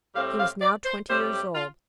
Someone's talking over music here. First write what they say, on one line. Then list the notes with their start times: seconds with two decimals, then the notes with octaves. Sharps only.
He was now twenty years old.
0.14 A2 G3 C4 F5
0.38 F5
0.61 D5
0.85 C5
1.08 A2 G3 C4 C5
1.32 G4
1.55 F4